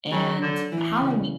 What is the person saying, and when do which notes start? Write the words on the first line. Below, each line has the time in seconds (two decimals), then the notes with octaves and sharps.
And Halloween
0.11 C#3 F#3
0.42 D3
0.72 E3
1.01 C#3